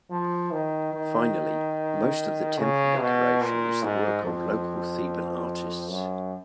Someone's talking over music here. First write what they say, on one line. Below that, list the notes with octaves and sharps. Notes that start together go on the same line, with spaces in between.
Finally, most of the temple decoration is the work of local Theban artists.
F3
D#3
D#3
C#3
B2
A#2
G#2
F2
F#2